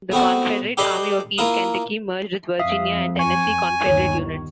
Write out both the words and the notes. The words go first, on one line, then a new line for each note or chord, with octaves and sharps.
The Confederate Army of East Kentucky merged with Virginia and Tennessee Confederate units.
A3 B3 C4 F#4
G4 A4 B4 D5 D#5 C6
A#3 E4 F4 A#4 D#6
F2 E5 F5 D#6
G#5 C#6 G#6
G1 D#2 D#3 C#5